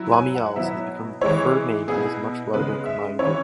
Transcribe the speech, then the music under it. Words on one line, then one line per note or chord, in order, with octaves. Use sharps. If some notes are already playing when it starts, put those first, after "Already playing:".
Lamiales has become the preferred name for this much larger combined group.
Already playing: F#3 E4
G#5
F#5
B2 F#3 B3 E4 E5
E3 G#3 E4 C#5
B2 B3 E4 G#4
C#3 G#3 B3 B4
E5
E3 C#4 E4 C#5